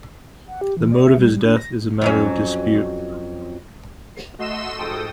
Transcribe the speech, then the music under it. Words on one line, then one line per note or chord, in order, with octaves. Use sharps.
The mode of his death is a matter of dispute.
F#5
G4
E3
D5
E5
G3
G3
D4
A#6
F2 F#3 C#4
A3 F#4 D#5 C6 E6 E7
F2 G#2 A4 G5 D#6